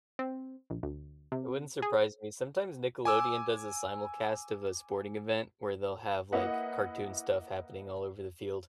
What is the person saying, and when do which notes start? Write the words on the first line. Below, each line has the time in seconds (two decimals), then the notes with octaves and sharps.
It wouldn't surprise me; sometimes Nickelodeon does a simulcast of a sporting event where they'll have, like, cartoon stuff happening all over the field.
0.19 C4
0.70 A#1
0.83 D2
1.32 C3
1.82 G#4
3.05 G#5 D6 E6
6.33 A#3 E4 B4 D#5 E5 F#5